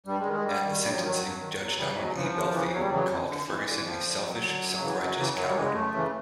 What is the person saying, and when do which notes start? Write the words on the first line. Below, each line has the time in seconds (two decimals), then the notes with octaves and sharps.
At the sentencing, Judge Donald E. Belfi called Ferguson a "selfish, self-righteous coward".
0.06 G2 G3
0.20 G#3
0.26 D#3
0.32 G#3
0.44 G2 G3
0.64 D#3
0.82 G2 G3
0.90 F#3
0.97 F3
1.01 D#3 F#3
1.21 G2
1.39 D#3
1.58 E2 F#3
1.76 C#3 E3 G3
1.96 E2 F#3
2.14 C#3 E3 F3
2.33 E2
2.53 C#3 E3
2.71 E2 F#3
2.80 G3
2.90 C#3 E3 F#3
3.08 F2
3.28 D3
3.47 F2 E3
3.66 D3 E3
3.84 F2 F3
4.03 D3
4.22 F2 F#3
4.42 D3
4.60 F#2
4.79 C#3 E3
4.98 F#2
5.17 C#3 E3
5.35 F#2 F#3
5.46 G3
5.55 C#3 E3 G#3
5.73 F#2 A3
5.93 C#3 E3